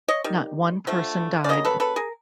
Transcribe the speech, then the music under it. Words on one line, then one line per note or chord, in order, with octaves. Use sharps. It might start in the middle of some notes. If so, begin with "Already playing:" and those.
Not one person died.
C#5 D#5
D#3 G3
D3 F3 A3
D5
C#3 F#3 A#3 D#5
A4 B4
A4 B4
G#4 A#4